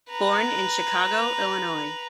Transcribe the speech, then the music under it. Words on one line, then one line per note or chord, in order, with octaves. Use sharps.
Born in Chicago, Illinois.
B4 A#5